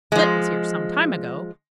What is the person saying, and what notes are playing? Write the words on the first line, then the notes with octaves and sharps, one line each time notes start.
Split was here some time ago.
F3 G#3